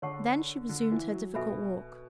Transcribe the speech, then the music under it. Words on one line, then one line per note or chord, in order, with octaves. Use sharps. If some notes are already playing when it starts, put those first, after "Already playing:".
Then she resumed her difficult walk.
D3 G#4 C#5 F#5 A5 C#6
D3
E3
F#3
B2 A4 E5 G#5 B5